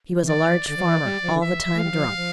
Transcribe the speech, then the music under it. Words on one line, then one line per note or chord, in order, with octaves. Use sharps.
He was a large farmer, all the time drunk.
E3
D5
E3
D3 D5
F3
E3
G3
F3
D3
E3 E5
E3
A3
F5
G3
F3
G3
F3